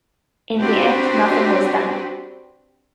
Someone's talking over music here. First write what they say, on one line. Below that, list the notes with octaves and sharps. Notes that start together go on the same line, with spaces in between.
In the end nothing was done.
C4 D4 F#4 G4 B4